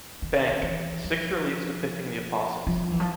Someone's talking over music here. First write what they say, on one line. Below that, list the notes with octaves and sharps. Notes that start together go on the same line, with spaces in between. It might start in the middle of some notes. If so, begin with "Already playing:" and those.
Bank; six reliefs depicting the Apostles.
D#3
E3
F3
F3
E3
F3